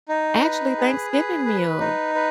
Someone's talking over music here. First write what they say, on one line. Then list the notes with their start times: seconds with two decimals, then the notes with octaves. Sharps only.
Actually, Thanksgiving meals,
0.09 D#4
0.42 B4
0.78 G#4
1.12 B4
1.45 B4
1.80 D#4
2.15 B4